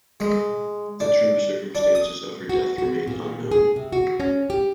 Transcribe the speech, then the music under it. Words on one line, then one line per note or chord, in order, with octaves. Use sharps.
The true circumstances of her death remain unknown.
G#3
D4
D4
D#6
F#4
F#4
A#2
G#4
C3
F#4
C#4
G4